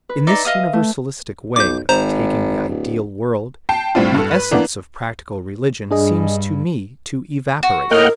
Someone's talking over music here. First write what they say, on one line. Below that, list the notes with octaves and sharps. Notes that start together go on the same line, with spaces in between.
In this universalistic way of taking the ideal world, the essence of practical religion seems to me to evaporate.
B4
D#4 D5 E5
D#5 F5 D#6
A3
B1 D6 G6
G#1 C5 A#5
D1
G5 A5 C7
A2 G3 C4 D4 F4
G2 A4
B4
E3 A#3 B3 D4
G2 D4 G#4 D#5
F#4
A2 A#3 A#4 D#5 F#5 G5 F6